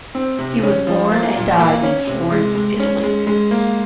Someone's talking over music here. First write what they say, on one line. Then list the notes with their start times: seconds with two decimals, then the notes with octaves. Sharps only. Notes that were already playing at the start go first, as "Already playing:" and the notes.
He was born and died in Florence, Italy.
0.15 C4
0.39 C3
0.63 C#4
0.87 F3
1.12 A#3
1.36 A#2
1.59 A#3
1.83 C#4
2.07 C3
2.31 G#3
2.55 G#3
2.80 C#4
3.03 G#3
3.27 G#3
3.51 A#3